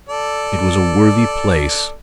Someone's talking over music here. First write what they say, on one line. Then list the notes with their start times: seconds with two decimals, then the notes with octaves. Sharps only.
It was a worthy place.
0.09 A4 D5